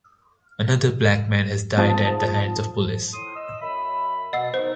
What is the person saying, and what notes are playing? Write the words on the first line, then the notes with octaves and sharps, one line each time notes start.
Another Black man has died at the hands of police.
G#2 F3 A5 D#6 A6
A2 C6 D#6
D#5 E6
F#2 E5 B5
B2 D#5 F#5 E6
D#3 B3 D#4 C5